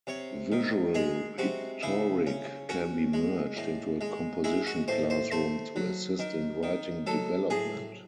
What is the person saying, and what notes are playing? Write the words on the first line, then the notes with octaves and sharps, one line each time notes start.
Visual rhetoric can be merged into a composition classroom to assist in writing development.
C3 C#5
D#3
G#3 G#4
C3 F#4
C#3 E4
C#4
C#4 F#4
G#3
A2
G#3
G#3 E4
F#4
A2 C5
C5
A3 C5
F#3
D#3
D#3
F#3 A4
A2 G#4